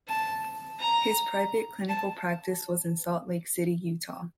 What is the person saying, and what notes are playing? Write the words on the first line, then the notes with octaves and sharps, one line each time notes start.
His private clinical practice was in Salt Lake City, Utah.
A5
A#5
A5